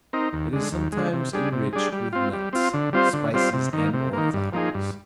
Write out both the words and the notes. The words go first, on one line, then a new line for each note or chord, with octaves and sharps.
It is sometimes enriched with nuts, spices and/or flowers.
C4 D#4 A#4
D#2
D3 G#3
D#2
D3 G#3
C3
G3 D4 G#4
C3
G3 D4 G#4
G3
C4 F4
G3
C4 F4
D3
G3 C4 F4 C5
D3
G3 C4 F4 C5
C3
D#3
A#3
C3
D#3 A#3
G2
F3 A#3 D#4 G#4
G2